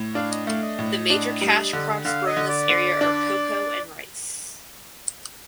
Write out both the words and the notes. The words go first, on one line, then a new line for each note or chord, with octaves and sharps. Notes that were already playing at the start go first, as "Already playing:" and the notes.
The major cash crops grown in this area are cocoa and Rice.
Already playing: A2
D4 F5
D#5
A3 F5
D#5
A2
D4
G3
D3
D3 F5
D#5
D3
D5
D3
D4